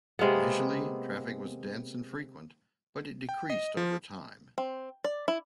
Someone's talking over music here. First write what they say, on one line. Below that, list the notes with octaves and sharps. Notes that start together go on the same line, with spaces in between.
Initially, traffic was dense and frequent, but it decreased over time.
C3 G#3 A#3 B3
G5
D#5
F3
C4
D5
E4